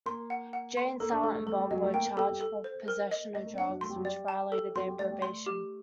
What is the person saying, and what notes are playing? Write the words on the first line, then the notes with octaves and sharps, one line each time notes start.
Jay and Silent Bob were charged for possession of drugs, which violated their probation.
A#3 C6
F#5
F#5
C6
A#3 A4
D4
A3 A4
A3
A3 A4
G3
F#3 D#5
A3
A#3 G5
A#3
G3 A4
G3
A4
C5
A#4
D#5
A3 D#5
A#3
C4
D4 F#5
F#3
A3 C6
G3
F#3
G3 D5
A5
A4
F#3 C6
G3
A3 D5
G3
A3 C6
G4